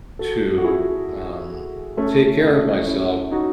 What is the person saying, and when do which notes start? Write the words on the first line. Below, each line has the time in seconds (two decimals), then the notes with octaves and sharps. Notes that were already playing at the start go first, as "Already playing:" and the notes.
to, um, take care of myself
0.19 F#4 A4
0.58 F#4
0.64 E4 G#4
1.97 A3 C#4
2.42 C#4 E4
2.87 C#4 E4
3.31 D#4 F#4